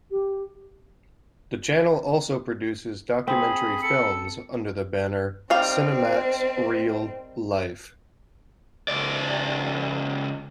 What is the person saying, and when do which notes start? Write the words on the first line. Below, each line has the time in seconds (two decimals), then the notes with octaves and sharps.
The channel also produces documentary films under the banner "Cinemax Reel Life".
0.11 G4
3.27 C4 G#4 B5
3.83 A4 C#7
5.50 D#3 G3 C4 F5
8.88 C#2 D5